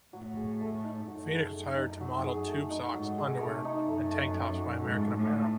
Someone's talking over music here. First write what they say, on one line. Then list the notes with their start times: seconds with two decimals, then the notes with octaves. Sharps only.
Phoenix was hired to model tube socks, underwear, and tank tops by American Apparel.
0.13 A2 F#3
0.37 G#4
0.61 A3
0.84 D#4
1.07 F#2 F#3
1.31 G#4
1.54 A3
1.77 D#4
2.01 F#3
2.24 G#4
2.47 A3
2.70 D#4
2.94 G#2 F#3
3.18 G#4
3.25 C3
3.41 A3
3.65 D#4
3.87 F#2 A3
4.11 A3
4.34 C#4
4.58 F#4
4.81 G#2 A3
5.05 A3
5.13 A2
5.28 C#4